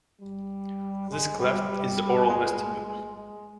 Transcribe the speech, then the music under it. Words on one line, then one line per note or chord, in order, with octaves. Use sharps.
This cleft is the oral vestibule.
G3
G#3
G3
G3
G#3
G#3
G#3